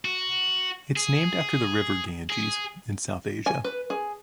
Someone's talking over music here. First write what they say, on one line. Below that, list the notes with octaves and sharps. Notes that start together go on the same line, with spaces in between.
It is named after the River Ganges in South Asia.
F#4
G#4
G#4
G#5
B4
G#4